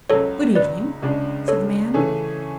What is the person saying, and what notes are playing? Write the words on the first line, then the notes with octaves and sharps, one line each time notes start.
"Good-evening," said the man.
C#2 C#3 F#3 A4 C#5
B4 D5
C#2 C#3 G#3 D4
A4 C#5
C#3 E3 A3 C#4 G#4